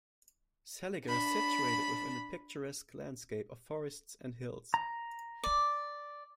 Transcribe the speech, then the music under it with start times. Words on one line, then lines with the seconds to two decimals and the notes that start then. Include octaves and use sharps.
Seliger is situated within a picturesque landscape of forests and hills.
1.05 D4 B5
4.74 A#5
5.44 D5